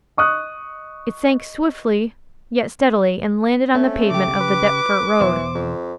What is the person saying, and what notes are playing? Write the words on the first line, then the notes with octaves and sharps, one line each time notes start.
It sank swiftly, yet steadily, and landed on the pavement of the Deptford Road.
D#5 C#6 D#6 F#6
A3 C4 C#4
C#3 G4 D6
B4
E2 B2 E3 C5
F2